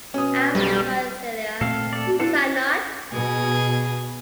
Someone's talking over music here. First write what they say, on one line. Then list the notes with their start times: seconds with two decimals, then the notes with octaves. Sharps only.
I was right, Celia, was I not?
0.14 B2 C#4 D#6
0.55 B1 G3
1.61 A#2 A3 C4 A4 F5
1.93 A4 D5
2.07 F#4
2.20 D4 E4 F4 A4
3.12 B2 G#4